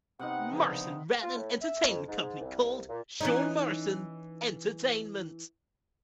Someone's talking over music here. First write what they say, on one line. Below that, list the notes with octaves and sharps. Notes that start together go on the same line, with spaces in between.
Morrison ran an entertainment company called Sean Morrison Entertainment.
C3 B3 D#4 F#5
G2 C#3 F3
F4
A2
E5
F2
G#2
C2
A#2
E3 C#4 D#4